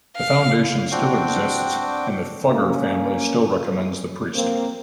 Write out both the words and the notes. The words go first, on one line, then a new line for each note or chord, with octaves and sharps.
The foundation still exists and the Fugger family still recommends the priest.
F5
C4 D4 F#4 G5
A#3 C#4
A#3 C4